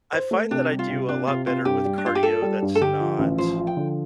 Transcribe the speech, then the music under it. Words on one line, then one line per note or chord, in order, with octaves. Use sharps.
I find that I do a lot better with cardio that's not
C5
A3
C3 D4
G3
F4
C3
C3 D4
C3 F4
C3 F4
G2 G4
G3
D4
G2 F4
G4
F4 A4
G3
G2
A4
D3 G4
F3
A1
F3 C5
F3
G5
D3